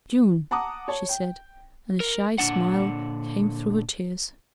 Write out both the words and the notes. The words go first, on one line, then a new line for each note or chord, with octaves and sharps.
"June," she said, and a shy smile came through her tears.
F#5 A5 A#5 D6 D#6
C#5 A5
G5
A#4
A#2 D3 G#3 D4 F#5